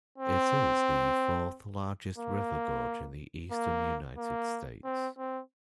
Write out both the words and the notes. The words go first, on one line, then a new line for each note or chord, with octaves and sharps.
It is the fourth largest river gorge in the Eastern United States.
C4
A#3
A#3
A#3
C4
C4